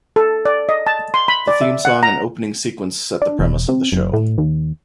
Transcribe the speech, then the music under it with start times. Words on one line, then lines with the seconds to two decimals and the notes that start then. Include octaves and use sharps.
The theme song and opening sequence set the premise of the show.
0.16 A4
0.45 D5
0.69 D#5
0.87 A5
1.14 C6
1.28 B5
1.48 D5
1.61 E5
1.85 F#5
2.03 A#5
3.22 D4
3.39 E1
3.69 C3
3.92 F#1
4.13 A2
4.38 D#2